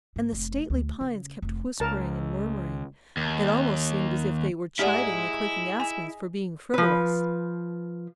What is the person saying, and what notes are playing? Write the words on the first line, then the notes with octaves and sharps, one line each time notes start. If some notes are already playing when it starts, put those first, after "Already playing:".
And the stately pines kept whispering and murmuring; it almost seemed as if they were chiding the quaking aspens for being frivolous.
G#2
F1
D2
C#3
F1
C#2 A#4 A5
D#2
D#4 E4 G4 G#4 D5 F#5
G#5
F3 B4